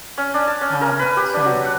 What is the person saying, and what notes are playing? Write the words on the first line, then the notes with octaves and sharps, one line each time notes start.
um, some
C#4
D4
A5
C#4
A#4
B4
G4
D4
F#3
F#5